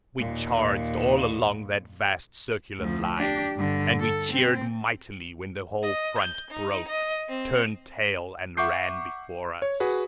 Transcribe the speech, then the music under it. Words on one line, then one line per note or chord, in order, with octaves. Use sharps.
We charged all along that vast circular line, and we cheered mightily when the whole front broke, turned tail, and ran before us.
D#2 A#2
D2 F3
D4 G4
G2 D3
A4
C4
D#5
G6
D#4
D#5
C4
E5 F#5 C#6 D6 G6 C7
C#5
F#4 G#4 B4